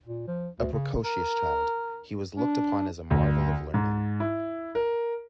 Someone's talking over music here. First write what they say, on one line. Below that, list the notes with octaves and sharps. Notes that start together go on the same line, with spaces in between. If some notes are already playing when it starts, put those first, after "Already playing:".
A precocious child, he was looked upon as a marvel of learning.
A#2
F3
D2
C#3
A#4
D4
D2
G#2
E4
A#4